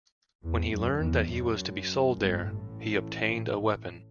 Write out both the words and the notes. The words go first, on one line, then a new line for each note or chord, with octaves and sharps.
When he learned that he was to be sold there, he obtained a weapon.
E2
F#2
E2
F#2
G1 G2
A1 A2